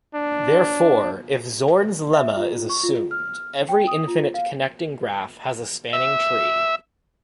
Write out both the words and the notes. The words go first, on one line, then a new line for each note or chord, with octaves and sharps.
Therefore, if Zorn's lemma is assumed, every infinite connected graph has a spanning tree.
D4
E5
F4
C#6
F4
F6
G5
D#6
F4
F5
E5